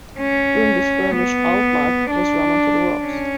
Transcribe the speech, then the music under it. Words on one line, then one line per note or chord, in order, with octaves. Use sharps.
During the skirmish "Altmark" was run onto the rocks.
C#4
B3
D4
C#4